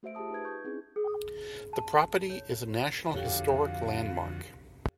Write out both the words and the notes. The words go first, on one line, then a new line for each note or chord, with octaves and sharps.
The property is a National Historic Landmark.
A3 F#4 C5 E5 D7
F4 G4 G#4 A5 D#6
D#4 B4 G#6
C#6 G6
C4 C#4 D#4 E4 G#4
G#4
A5
C#5
F2 D3 F3 F#4 G4 A4 C#5 F5